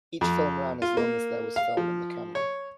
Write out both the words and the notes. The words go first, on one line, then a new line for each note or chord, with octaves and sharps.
Each film ran as long as there was film in the camera.
F2
F4
A#3
F5
F3
C#5